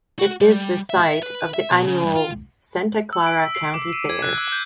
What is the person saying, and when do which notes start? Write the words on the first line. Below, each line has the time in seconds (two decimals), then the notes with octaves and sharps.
It is the site of the annual Santa Clara County Fair.
0.19 F#4
0.41 G3
0.90 E5
1.23 B4
1.54 E5
1.71 B2
1.87 C#3
2.04 G2
2.16 F4
3.13 E6
3.26 D7
3.40 B6
3.55 C7
3.74 D6
3.93 D#7
4.09 G#6
4.22 F#6
4.38 E6
4.52 G6